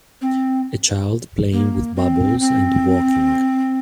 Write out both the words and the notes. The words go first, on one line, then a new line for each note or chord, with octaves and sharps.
A child playing with bubbles and walking.
C4
A#3
C4
C4